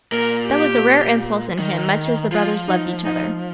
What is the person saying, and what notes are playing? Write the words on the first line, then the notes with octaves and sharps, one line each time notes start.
That was a rare impulse in him, much as the brothers loved each other.
A#2 A#4
G4
D#3
F3 F4
D#4
D#4